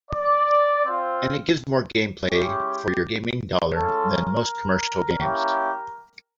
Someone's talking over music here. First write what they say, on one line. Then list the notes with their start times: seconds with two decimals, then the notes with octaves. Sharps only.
And it gives you more gameplay for your gaming dollar than most commercial games.
0.11 D5
0.84 C4 F4
2.29 G#3 C#4 E4 G4
3.74 G#3 C#4 F4 A4
4.11 A#4
5.20 A#3 C#4 E4 G4